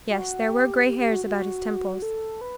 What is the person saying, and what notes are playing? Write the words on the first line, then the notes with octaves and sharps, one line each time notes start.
Yes, there were gray hairs about his temples.
F#4
G4
G4
G4
F#4
F#4
A4
B4